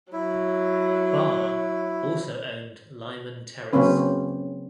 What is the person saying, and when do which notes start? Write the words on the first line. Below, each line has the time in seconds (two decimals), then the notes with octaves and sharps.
Barr also owned Lyman Terrace.
0.13 F#3 E4
3.73 C#3 F#3 A#3 C4 C#4 B4